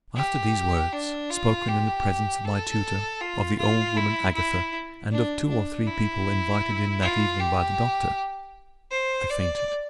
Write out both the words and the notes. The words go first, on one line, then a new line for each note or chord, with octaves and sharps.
After these words, spoken in the presence of my tutor, of the old woman Agatha, and of two or three people invited in that evening by the doctor, I fainted.
G4
D4
F4
G4
A4
F4
F4
E4
E4
D4
D4
E4
F4
G4
C5
D5